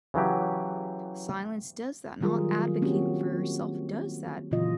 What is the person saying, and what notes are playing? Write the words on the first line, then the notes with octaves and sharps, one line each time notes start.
Silence does that, not advocating for yourself does that.
C#3 E3 F#3 G4
D#3 F#3 G3 F4 G#4 A#4
A#3 C4 C#4 F#4 G4
A#2 C#3 E3 F#3 F4 D#5